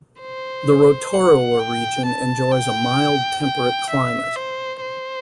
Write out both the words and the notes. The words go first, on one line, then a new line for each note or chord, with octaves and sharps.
The Rotorua region enjoys a mild temperate climate.
C5
F#5
G5
A5
G5
G5
E5
C5
C5